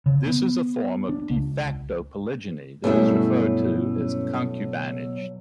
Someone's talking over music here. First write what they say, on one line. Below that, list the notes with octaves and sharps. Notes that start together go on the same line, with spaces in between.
This is a form of "de facto" polygyny that is referred to as concubinage.
C#3
B3
D4
C#2
G2 B2 F#3 A3 C#4 D4 E4